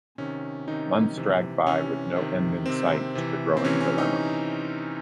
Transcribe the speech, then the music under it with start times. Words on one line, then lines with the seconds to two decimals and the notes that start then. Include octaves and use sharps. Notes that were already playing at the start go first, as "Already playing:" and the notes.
Months dragged by with no end in sight to the growing dilemma.
0.18 C3 D#3 C#4
0.68 C3 D#3 D#4
1.17 C3 E3
1.67 C3 E3 C#4
2.16 C3 D#3
2.66 C3 D#3 C4
3.15 C3 E3
3.57 C4
3.64 C3 E3 C#4
3.81 C#4
3.98 D#4